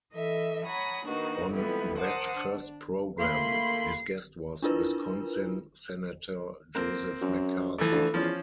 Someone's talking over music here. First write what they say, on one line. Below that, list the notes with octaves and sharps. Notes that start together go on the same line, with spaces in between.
On that first program, his guest was Wisconsin senator Joseph McCarthy.
E3 A4 D#5 E5
C#5 F#5 G#5 A#5 B5 D#6
D#3 A#3 D4 D#4 F#4 B4
F2 E3 G3 G#3 B3 E4
A#4 C5 F#5 A5 D6 D#6
D4
A3 A#3 B5 C6 C7
D4 E4 F4 A#4 B4
A#3 C4
F#2
E3 F3 A3
D2
E2 F3 C#4 F4